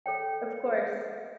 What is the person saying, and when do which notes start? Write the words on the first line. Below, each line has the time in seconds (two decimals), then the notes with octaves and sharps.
of course.
0.06 A4 C#5 G5